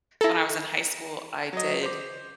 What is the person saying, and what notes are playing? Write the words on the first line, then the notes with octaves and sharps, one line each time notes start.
when I was in high school, I did
E4 A4 A#5 A#6
F#3 D#5
C5 D6